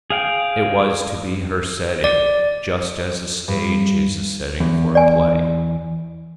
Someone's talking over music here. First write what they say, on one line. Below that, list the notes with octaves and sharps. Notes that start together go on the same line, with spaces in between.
It was to be her setting, just as a stage is the setting for a play.
G#4 F5 G5
D5
G2
E2
D5 G#5